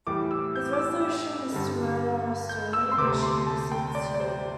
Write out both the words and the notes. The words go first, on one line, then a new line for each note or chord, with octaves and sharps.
His resolution is to murder Sterni, which he proceeds to do.
A2 E3 G3 D6
E6
G6
D6
E6
G2 D3 G3
G6
E6
C6
D2 C3 A3 D6
C6
C6
A5
G5
D5
D5
C5